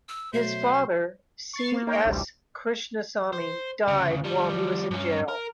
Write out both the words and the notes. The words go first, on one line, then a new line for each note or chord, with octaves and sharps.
His father C. S. Krishnasamy died while he was in jail.
E6
B2 F#3 A3 C5 E5
C#6 A6 C7
A#3
A#3 D#4 A#4 C#5 G5
A1 D2 C3 G3
C5
D2 C#3
F3 G3
G2 C#4
A#4